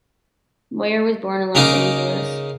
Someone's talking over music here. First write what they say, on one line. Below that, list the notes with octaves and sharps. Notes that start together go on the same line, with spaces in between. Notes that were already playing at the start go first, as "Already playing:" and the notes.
Moyer was born in Los Angeles.
C#3 A#3 D#4 A#4 A#5 D6